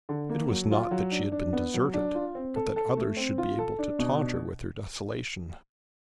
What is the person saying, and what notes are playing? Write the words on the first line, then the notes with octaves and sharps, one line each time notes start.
It was not that she had been deserted, but that others should be able to taunt her with her desolation.
D3
A#3
F#3
F4
F#3
D4
D4
B3
F#3
D4
F4
C4
A4
A4
A3
C4
F4
A4
D4
B2
D4